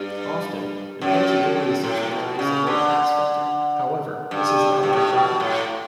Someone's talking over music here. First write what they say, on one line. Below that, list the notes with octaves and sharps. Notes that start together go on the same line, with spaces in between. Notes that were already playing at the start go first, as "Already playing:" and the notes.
Often, an anti-aliasing filter is a low-pass filter; however, this is not a requirement.
Already playing: G2
F#2
F#2
A2
B2
C#3
D3
G2
A2
G2
A2
B2
A2